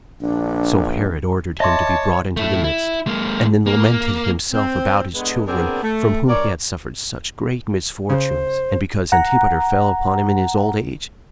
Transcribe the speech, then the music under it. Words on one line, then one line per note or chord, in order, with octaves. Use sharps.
So Herod ordered him to be brought into the midst, and then lamented himself about his children, from whom he had suffered such great misfortunes; and because Antipater fell upon him in his old age.
A#1 D4
C#5 D#5 E5 A5 C6 D6
A3 E4
E4
G#3 A#3
A#3
C4
D3 G#3 B3
A#2 B3 C4 D4 G#4 A#4
A3
G2 A#4 C#5 D5
C#3 C5
F#5 A#5